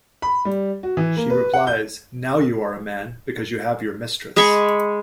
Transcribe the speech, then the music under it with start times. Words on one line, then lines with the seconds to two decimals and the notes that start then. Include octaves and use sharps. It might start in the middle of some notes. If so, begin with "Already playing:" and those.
She replies, Now you are a man because you have your mistress...
0.22 B5
0.45 G3
0.83 F#4
0.97 E3
1.17 A#3
1.30 B4
1.54 F#5
1.67 G6
4.36 G#3 G#4 B5 C#6